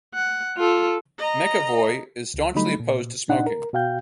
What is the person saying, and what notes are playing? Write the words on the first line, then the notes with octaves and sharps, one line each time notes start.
McEvoy is staunchly opposed to smoking.
F#5
F4 A4
D#5 A#5
C#2
D3 F#3 G3 A3 D#4 B5
A#2
A#2 D4 D#4 F#5
A#4
B2 F#4 F5 G5 G6